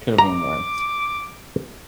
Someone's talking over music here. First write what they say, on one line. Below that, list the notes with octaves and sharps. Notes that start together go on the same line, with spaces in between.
could have been worse.
A#5 D6